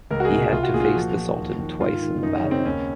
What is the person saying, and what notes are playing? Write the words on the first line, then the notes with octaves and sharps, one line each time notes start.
He had to face the Sultan twice in the battle.
C#2 A#4
F#4
G#4
C3
C2 F4
F#4
A#2 G#4
F4
F#4
F3
F3
D#2
D#3
G#2 F4
D#3
F#2 D#4
C#4
C#3
C4
D#2 C#4